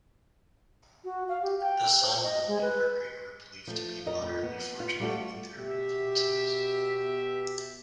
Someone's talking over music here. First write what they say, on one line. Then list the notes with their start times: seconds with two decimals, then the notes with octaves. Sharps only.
The Sun, Moon, and Mercury are believed to be moderately fortunate in their influences.
1.04 F#4
1.29 F5
1.43 G4
1.61 G5
2.01 C5
2.23 D#5
2.48 G#3
2.61 B4
3.67 F3 A3
4.06 F2 A#4 D#5
4.22 F2
4.43 B3
4.80 F4
5.00 G3 A3 F#4
5.57 B2 G4 E5